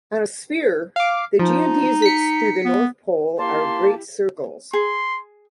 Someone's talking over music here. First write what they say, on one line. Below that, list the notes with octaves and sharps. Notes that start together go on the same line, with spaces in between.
On a sphere, the geodesics through the North pole are great circles.
F5 D6
F3 D#4
B6 C#7
B3
A#3 E4 G4 A5 C6
G#4 C6